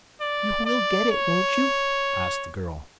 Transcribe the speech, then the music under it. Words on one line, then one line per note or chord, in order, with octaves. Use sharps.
"You will get it, won't you?" asked the girl.
D5
D5
C#5